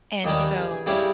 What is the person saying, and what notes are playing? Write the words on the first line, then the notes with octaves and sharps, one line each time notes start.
And, so,
D#2 D#3 G3 C#4 G4
G4
G#4
G#4
C#3 G3 C#4 E4 G4